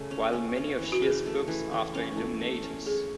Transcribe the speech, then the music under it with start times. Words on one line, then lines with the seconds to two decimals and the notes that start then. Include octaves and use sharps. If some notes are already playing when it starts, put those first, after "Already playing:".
While many of Shea's books after Illuminatus!
Already playing: C#3 A3
0.11 C#4
0.33 C#4
0.56 C#4
0.79 E3
0.92 F#4
1.02 C#3 G#4
1.26 A3
1.48 E3
1.72 E3
1.95 C#4
2.17 A3
2.40 A3
2.64 C#4
2.86 G#4 C#5